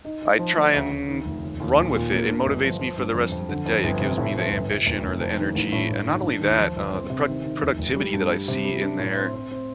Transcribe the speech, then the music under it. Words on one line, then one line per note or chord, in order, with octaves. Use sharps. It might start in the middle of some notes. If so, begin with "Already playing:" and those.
I try and run with it, it motivates me for the rest of the day, it gives me the ambition or the energy, and not only that, uh, the pro productivity that I see in there
D#4
D#4
F3
A3
D2
D2
D#3
F1
D#2
D#2
A#2
A#2
A#3
D4
G1
F3
F3
G2
F2
F2
D3
F2
G1
C3
A2
F3
G1
G1
F1
F1
F2
D#3
A1
A2
G2
D#3
D4
D#2
F3
G1
C4
C3
D#3
D#3
F1
F1
G3
G2
G3
C3
G3
D4
A2
C4
C4
C4